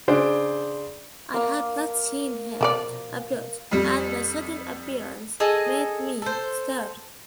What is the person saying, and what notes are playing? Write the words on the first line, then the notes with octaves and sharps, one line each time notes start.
I had not seen him approach, and the sudden appearance made me start.
C#3 D4 C5
A#3 F5
B2 F3 A#4 D5
F2 G3
G#4 A4 D#5
A4 C5